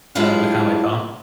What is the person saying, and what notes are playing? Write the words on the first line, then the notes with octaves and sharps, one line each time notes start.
uh, with how I talk
F#3 G#3 D4 E4 F4 G4